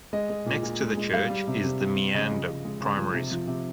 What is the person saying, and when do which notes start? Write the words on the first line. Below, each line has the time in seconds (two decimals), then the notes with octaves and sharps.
Next to the church is the Meander Primary School.
0.13 G#3 D#5
0.30 G#3
0.46 A#2
0.63 A#2
0.81 G#3
0.97 G#3
1.13 G3 F5
1.30 G3
1.48 C3
1.64 C3
1.80 G3
1.97 G3
2.13 C#3 D#5
2.31 F3
2.47 C#3
2.65 G#3
2.81 C#3
2.97 F3
3.14 C3
3.31 F3
3.47 C3